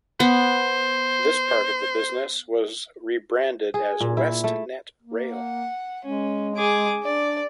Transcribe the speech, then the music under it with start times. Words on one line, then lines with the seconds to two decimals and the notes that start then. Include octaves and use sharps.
This part of the business was rebranded as WestNet Rail.
0.20 B3 C5
3.74 G#4
4.00 A#2
4.17 E4
4.44 A3
5.03 A#3
5.34 F#5
6.05 G#3 C#4
6.55 G#4 D6
7.03 D4 D5